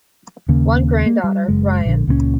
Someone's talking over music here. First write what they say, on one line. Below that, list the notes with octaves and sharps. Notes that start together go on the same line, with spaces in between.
One granddaughter, Ryan.
D#2 C#3 A#3
A#3
G3
F#1 G#3
A#1 D3
C#2 A#2 G3 C#4